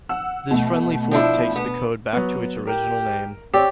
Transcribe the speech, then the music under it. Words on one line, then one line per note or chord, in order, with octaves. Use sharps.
This friendly-fork takes the code back to its original name.
F#5 E6
B2 A3
F3 D4 E4
B3
F#3 B3
G4 A#4
C4 G4 C#5 D5